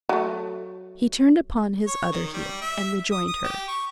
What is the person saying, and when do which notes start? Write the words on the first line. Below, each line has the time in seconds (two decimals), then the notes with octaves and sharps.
He turned upon his other heel, and rejoined her.
0.09 F#3 A3
1.87 C#5
2.12 D#3
2.33 G3
2.61 E5
3.12 D#6
3.28 D#6
3.44 G4
3.68 C#6